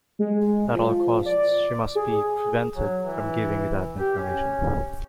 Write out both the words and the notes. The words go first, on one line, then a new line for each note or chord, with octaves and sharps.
At all costs she must be prevented from giving that information.
G#3
F3
D5
G#4
F#3
E3
G4
C#4